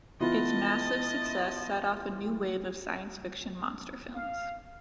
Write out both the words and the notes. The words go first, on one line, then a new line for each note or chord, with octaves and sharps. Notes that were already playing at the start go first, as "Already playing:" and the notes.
Its massive success set off a new wave of science-fiction monster films.
E3 B3 F4 D#5 A5
F5